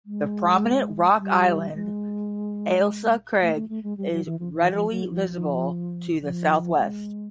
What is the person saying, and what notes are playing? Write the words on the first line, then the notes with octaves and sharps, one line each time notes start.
The prominent rock island Ailsa Craig is readily visible to the southwest.
G#3
G3
G#3
A3
A3
A3
G#3
G3
F#3
E3
F3
E3
F3
F#3
F3
F3
G#3